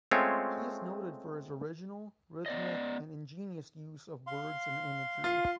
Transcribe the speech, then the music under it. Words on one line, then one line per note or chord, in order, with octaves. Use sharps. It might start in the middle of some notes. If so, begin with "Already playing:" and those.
He is noted for his original, rhythmic and ingenious use of words and imagery.
G#3 A3 C4 C#4 F4 C#5
B3 D5 D#5
F5 C6
F4